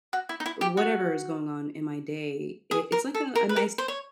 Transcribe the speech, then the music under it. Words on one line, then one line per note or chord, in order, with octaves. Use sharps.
whatever is going on in my day. I it's like a nice
F#4
E4
D#4
E4
G4
F#4
G#4
A#4
A4
A#4
B4
A#4
C5
C#5